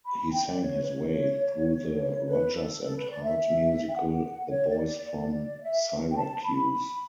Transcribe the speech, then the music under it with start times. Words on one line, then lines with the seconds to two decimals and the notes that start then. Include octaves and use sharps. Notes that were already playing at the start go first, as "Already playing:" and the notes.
He sang his way through the Rodgers and Hart musical "The Boys from Syracuse".
0.05 B5
0.18 B5
0.32 G5
0.47 D5
0.61 C#5
0.82 B4
0.88 C#5
2.27 B4
2.55 A4
2.83 A4
2.97 B4
3.11 D5
3.24 E5
3.89 G5
3.94 F#5
4.49 C#5
4.69 D5
4.86 D5
5.05 D5
5.61 E5
6.11 G5
6.17 A5
6.44 B5
6.72 B5